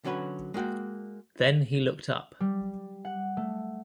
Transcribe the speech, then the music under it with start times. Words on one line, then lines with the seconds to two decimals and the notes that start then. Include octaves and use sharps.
Then he looked up.
0.04 D3 F#3 C#4 F#4 B4
0.54 G#3 A#3 F#4 G5
2.40 G3
3.05 F#5
3.37 A3